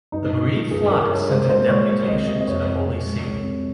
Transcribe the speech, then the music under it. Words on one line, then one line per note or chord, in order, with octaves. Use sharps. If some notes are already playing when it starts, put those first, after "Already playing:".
The bereaved flock sent a deputation to the Holy See.
G2 D#4
G2
F3
G2 G#4
G2 A#4
G3 C#5
G#3 C5
A#2 C5
G#3 C#5
A#3 C5
C2 D#5
C3 D#5
D#5
F2 C#5
F2
C3
G#3
C2
C3